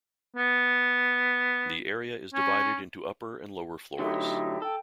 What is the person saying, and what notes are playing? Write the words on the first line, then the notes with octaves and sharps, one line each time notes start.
The area is divided into upper and lower floors.
B3
C#4
D3 F#3 A3 D#4 E4 G4
A4 G5